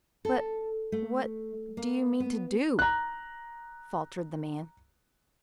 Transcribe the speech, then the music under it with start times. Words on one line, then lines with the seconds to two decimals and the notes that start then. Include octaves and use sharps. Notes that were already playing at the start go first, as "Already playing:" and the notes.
"But what--do you mean--to do?" faltered the man.
0.25 A4
0.92 A3
1.77 A#3
2.20 B3
2.79 A#5 F#6